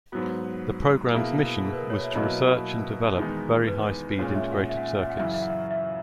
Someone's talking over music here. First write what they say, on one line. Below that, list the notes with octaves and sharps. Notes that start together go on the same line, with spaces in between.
The program's mission was to research and develop very high speed integrated circuits.
G#2 F#3 B3 F#4
F#4
B2 A#3 E4 G#4
G#4
B4
A#4
C#5
E5
C#5
B2 F#3 A#3 E4 B4 D#5
E2 D#3 G#3 B3 D#4
B4
B4
A#2 G#3 C#4 C#5
E5
F#5
E5
F#5
E5
F#5
E5
F#5
F#2 C#3 E3 E5
F#5
E5
F#5
E5
E5